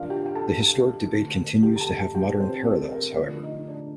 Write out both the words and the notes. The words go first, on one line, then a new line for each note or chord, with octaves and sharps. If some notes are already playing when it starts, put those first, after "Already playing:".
The historic debate continues to have modern parallels, however.
Already playing: D3 F3 A3 D4 F4 A#4 D5 F5
G4 G5
G5
A4 A5
A4 A5
D3 A3 D#4
G4 G5
A#5
A4 A5
G4 G5
C4 C5
A4
A#4
D3 F3 A3 D4 D5
D#4 D#5
D4 D5